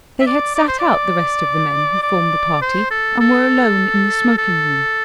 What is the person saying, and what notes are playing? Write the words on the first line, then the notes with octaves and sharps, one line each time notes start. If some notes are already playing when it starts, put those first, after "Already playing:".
They had sat out the rest of the men who formed the party and were alone in the smoking-room.
E5
D5
D5
C5
D5
D5
C5
A4
A4
A4